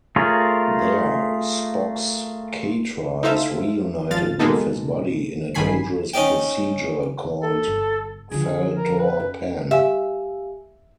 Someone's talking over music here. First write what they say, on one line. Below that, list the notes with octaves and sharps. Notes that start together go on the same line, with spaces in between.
There, Spock's "katra" is reunited with his body in a dangerous procedure called "fal-tor-pan".
A3 F4 G#4 A#4 C#5
D#4 E4 A4 C5 E5 F5
G#1 F3 F5 A6
B2 G#3 A#3 B3 D#4 A4
A1 G2 D#3 G#5 B5 C7
C#4 D#4 D5 G5
A4
G1
D3 F3 G#4
A#4
B4
F#2
G4 E5 F5 G#5